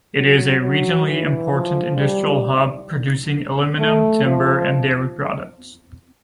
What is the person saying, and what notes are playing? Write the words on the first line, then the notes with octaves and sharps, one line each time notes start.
It is a regionally important industrial hub, producing aluminium, timber and dairy products.
F#3
F#3
E3
F3
G3
A3
F3